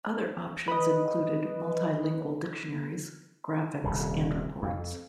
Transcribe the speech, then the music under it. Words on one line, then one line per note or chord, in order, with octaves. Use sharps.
Other options included multilingual dictionaries, graphics, and reports.
B4 D#5
D#1 C2 C#3
F2